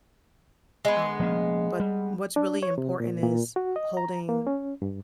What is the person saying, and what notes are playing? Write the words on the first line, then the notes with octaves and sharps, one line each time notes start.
um, but what's really important is holding
G#3 B3
F3 A#3 C#4
G3
D4
C#5
C3
A#2
A#2
F#4
D#5
A#5
A#3
C#4
G2